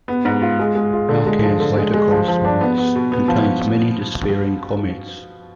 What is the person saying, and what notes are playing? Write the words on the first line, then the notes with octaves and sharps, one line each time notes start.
Alkan's later correspondence contains many despairing comments.
B3
G#2
F4
G#3
G#3
F4
D3
G#3
F3
D3
G#3
G#3
F3
F3
D4
B3
B3
B2
B3
F3